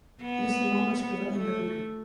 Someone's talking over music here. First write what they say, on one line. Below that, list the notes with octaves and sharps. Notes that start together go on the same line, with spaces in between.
It is the longest river in the country.
B3
B3
A3